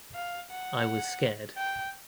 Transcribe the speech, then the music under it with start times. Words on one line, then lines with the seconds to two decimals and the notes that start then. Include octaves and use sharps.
I was scared.
0.14 F5
0.51 F#5
1.57 G5